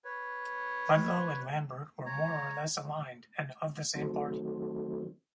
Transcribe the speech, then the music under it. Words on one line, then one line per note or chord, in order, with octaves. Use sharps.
Ludlow and Lambert were more or less aligned and of the same party.
B4 C#5
C#5 A#5
D#3 F#3 A3 C4